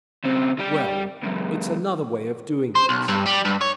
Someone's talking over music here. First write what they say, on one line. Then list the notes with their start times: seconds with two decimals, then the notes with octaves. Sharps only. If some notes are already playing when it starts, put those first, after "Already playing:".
"Well ... it's another way of doing it."
0.24 C#2 C4
0.59 G3 G4
1.23 C#2 F#2
2.76 C5
2.89 B1
3.08 G2
3.26 G3
3.45 G2
3.61 C#5